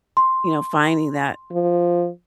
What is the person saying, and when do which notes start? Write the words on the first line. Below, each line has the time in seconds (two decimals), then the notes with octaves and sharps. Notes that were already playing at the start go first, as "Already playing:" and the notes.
you know, finding that
0.17 C6
1.52 F3